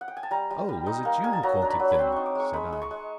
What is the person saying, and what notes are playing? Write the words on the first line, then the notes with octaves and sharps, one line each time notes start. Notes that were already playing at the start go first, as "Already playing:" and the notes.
"Oh! was it you who caught it, then?" said I.
F#5
G5
G#5
A5
G3 A#5
G3
G3
D#4
A#3
A#3 G#5
A5
F#3 A#5
D4 A#5
B5
F#3
B5
C4 C6
D#4 C#6
D6
G#3 C#6
G#3 B5
G#3
C#6
G#3